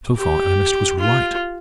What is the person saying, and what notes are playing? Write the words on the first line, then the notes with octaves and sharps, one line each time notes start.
So far Ernest was right.
G4
F4